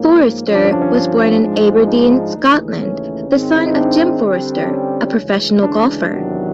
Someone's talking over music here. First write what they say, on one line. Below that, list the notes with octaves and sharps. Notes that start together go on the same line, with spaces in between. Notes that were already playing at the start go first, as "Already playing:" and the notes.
Forrester was born in Aberdeen, Scotland, the son of Jim Forrester a professional golfer.
Already playing: G#2 F3 A#3 C#4
G2 D3 F3 C#4
D4
C#4
D4
C#4
D4
G#2 F3 G#3
D#4
D#2 C#3 E3 A3
C#4
G#2 D#3 G#3 C4
E4
D#4
D4
D3 G3 C4
D4
C#4
D2 C#3 E3 G#3
D4
E2 C3 D#3 F#3